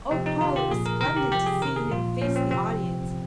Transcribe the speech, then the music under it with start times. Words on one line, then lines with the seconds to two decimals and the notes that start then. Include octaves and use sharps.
Oh, Paul, it was splendid to see him face the audience.
0.11 C3 F3 C4
0.26 D#4
0.41 C3 D#3 F4
0.56 G4
0.71 A#2 F3 G#4
0.86 A#4
1.01 C3 D#3 A#4
1.16 G4
1.32 C3 F3 G4
1.46 G#4
1.62 C3 D#3 A#4
1.76 G#4
1.91 A#2 F3 F4
2.21 A#2 F3 C#4
2.36 C4
2.51 C3 F3 C4